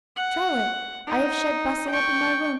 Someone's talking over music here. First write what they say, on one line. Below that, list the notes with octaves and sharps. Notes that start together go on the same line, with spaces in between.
'Charlotte, I have shut Bustle up in my room.
F#5
D#4
G5 C#6